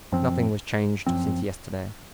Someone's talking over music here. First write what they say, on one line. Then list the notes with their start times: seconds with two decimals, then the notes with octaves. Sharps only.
Nothing was changed since yesterday.
0.12 F#2 F3 C4
1.06 F#2 F3 C4